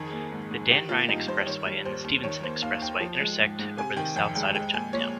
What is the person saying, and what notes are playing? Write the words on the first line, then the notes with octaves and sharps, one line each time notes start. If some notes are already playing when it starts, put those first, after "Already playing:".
The Dan Ryan Expressway and the Stevenson Expressway intersect over the southside of Chinatown.
Already playing: F2 D#3 G#4
A#3
G#2
G#2
D#3 G4
A#3 F4
G2 D#4
G2 C5
D#3 C#5
G3
D#2 C5
D#2
D#3 C#5
A#3 C5
D#2 F5
D#2 G5
F3
G#3
G#2
G#2
C3 G#5
D#3 G5
F2 G5
G#3 G5
G#3 G5
A#2 G#5
A#2 C#5